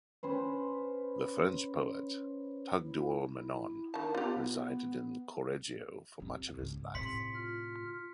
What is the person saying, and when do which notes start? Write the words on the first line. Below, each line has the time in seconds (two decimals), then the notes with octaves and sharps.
The French poet Tugdual Menon resided in Correggio for much of his life.
0.23 C#4 B4 C5
2.82 E4
3.22 E4
3.94 D#3 D4 A5
4.14 B3 F4 G4
6.20 F2 G3
6.55 C#2 G#2
6.95 A2 C3 C6 B6 C#7
7.34 F4 F6